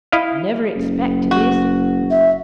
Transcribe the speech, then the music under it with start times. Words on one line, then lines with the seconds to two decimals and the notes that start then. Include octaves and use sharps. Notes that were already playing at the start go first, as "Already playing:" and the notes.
I never expected this.
0.12 E4 D#5 F5
0.76 F#1
1.31 F#4
2.11 E5